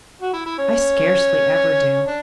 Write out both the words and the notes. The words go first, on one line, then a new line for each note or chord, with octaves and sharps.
I scarcely ever do.
F#4
E4
E4
C#4
D4